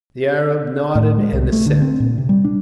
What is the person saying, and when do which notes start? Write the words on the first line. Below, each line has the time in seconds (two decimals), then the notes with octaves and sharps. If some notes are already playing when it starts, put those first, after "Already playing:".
The Arab nodded an assent.
0.95 A2
1.18 G#3
1.33 C2
1.52 A3
1.66 D3
1.82 C4
2.00 A#2
2.18 C3
2.29 G3
2.44 D4